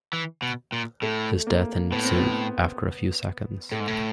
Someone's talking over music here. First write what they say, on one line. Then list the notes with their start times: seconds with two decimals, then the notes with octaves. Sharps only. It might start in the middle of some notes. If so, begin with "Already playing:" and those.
His death ensued after a few seconds.
0.13 E3
0.42 B2
0.72 A#2
1.02 A2 A3
1.47 A#3
1.92 A2 B3
2.04 C4
2.16 B3
3.72 A2 A3
3.80 G#2
3.87 A2